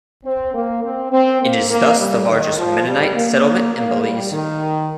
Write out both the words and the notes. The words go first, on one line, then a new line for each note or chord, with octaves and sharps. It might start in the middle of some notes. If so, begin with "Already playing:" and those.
It is thus the largest Mennonite settlement in Belize.
C4
A#3
C4
C4
A#3
A#3
G3
D#3
F3
G3
A#3
A#3
G3
D#3